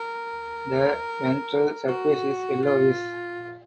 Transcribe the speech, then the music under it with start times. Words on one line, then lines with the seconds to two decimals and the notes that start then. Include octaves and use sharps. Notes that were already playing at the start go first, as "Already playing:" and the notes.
The ventral surface is yellowish.
Already playing: A#4
1.88 F#4
2.65 F4